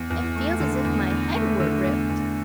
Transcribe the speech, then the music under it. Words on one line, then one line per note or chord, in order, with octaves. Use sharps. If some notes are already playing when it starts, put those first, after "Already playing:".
"It feels as if my head were ripped."
Already playing: E2
E2
A3
D3
E2
E2
A3
D3
E2
E2